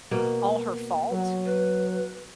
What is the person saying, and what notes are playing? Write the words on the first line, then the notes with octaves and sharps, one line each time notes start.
All Her Fault,
B2 A#3
F#3
B4